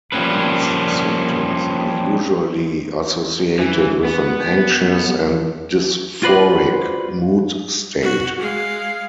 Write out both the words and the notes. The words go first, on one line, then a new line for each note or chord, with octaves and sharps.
These symptoms are usually associated with an anxious and dysphoric mood state.
F3 G3 A#3 C#4 B4
E3
B3
F4 F#4 B4 C5 D5
F#4
G#3 F5